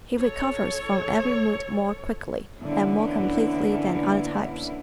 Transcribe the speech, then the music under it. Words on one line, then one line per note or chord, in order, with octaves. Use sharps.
He recovers from every mood more quickly and more completely than other types.
A4 C#5
D3 E3 A#3 B3 C#4 E4